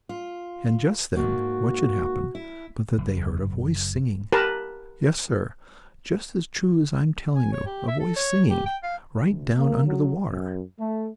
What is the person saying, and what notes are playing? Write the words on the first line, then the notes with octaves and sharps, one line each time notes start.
And just then, what should happen, but that they heard a voice singing. Yes, sir, just as true as I'm telling you, a voice singing, right down under the water.
F4
G#2 A3 A#3 F#4
E4
F#1
G4 A#4 B4 A5
G#5
C#5
G4
E5
A4
C#5
G4
G5
F5
D2
A#3
F#3
F#2
A3